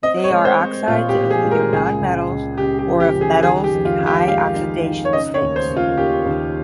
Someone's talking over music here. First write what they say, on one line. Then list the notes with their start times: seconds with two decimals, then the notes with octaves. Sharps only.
They are oxides of either nonmetals or of metals in high oxidation states.
0.03 C4 D#5
0.24 C#5
0.30 G#3
0.45 C5
0.59 C4
0.88 A#2 F4
1.09 G4
1.16 A#2
1.30 G#4
1.44 G#3
1.51 A#4
1.72 C#2 G#4
2.01 C#2
2.29 C#2
2.58 C#3 G4
2.79 G4
2.86 F3
3.00 G4
3.14 C#2
3.21 G#4
3.43 D#3 G#4
3.64 G4
3.71 F2
3.85 F4
4.00 D#3
4.07 G4
4.28 G#3 F5
4.56 D#4
4.85 D#4
5.05 C#5
5.13 C#3 D#5
5.34 C#5
5.41 D#2
5.56 C5
5.70 C#3
5.77 F4
5.98 D#2 G4
6.26 D#2